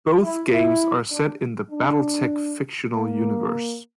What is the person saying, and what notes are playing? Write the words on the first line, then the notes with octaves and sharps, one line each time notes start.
Both games are set in the BattleTech fictional universe.
E4
E4
D4
D4
A#3